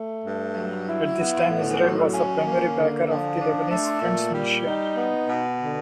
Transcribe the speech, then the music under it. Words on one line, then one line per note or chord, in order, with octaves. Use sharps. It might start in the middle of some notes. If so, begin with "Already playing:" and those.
At this time, Israel was the primary backer of the Lebanese Front's militia.
Already playing: A3
G2
F#3
E4
B3
A2
F#3
C#4
A#3
D3
F3
D4
A3
A#2
G3
D#4
B3
B2
D3